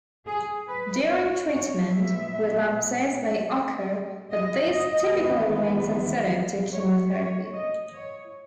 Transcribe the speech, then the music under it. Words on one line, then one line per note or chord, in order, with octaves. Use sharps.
During treatment, relapses may occur but these typically remain sensitive to chemotherapy.
G#4
B4
C#5
C#5
A#2 G#3 B3 E5
D#5
D#5
E2 D#3 G#3 B3
C#5
C#5
D#5
C#5